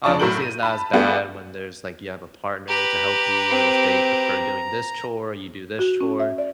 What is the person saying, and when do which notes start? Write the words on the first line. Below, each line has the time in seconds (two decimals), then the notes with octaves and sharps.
obviously it's not as bad when there's like, you have a partner to help you if they prefer doing this chore, you do this chore,
0.04 F1 F3 D4 A5 C#6
0.19 A2 F#3 A#4 G6 D7 F#7
0.42 D#7
0.63 A5 B5
0.93 G3 A3 B3 D4 F#4 G#4
2.69 G4 B4 A#5
3.50 C4
5.79 F#4
6.01 C#4
6.20 E5
6.38 D5